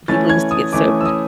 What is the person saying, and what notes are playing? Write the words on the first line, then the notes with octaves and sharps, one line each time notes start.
People used to get so frust
E3 A3 C#4 A6
G#6
D#6
E3 A3 C#4 D6
E6
D#6